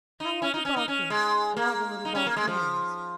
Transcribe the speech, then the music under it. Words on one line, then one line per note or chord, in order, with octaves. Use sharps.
How are the Balkans and all the little Balkans?
D#4
C#4
D#4
C#4
D#4
C#4
G#3
A#3
D#4
C#4
A#3
G#3
F3